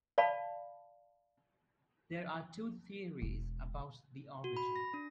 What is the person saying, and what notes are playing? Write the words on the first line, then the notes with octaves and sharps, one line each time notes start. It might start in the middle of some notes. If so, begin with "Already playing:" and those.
There are two theories about the origin.
D5 F5 A5 B5
E1
F#4
B5
A#6
D4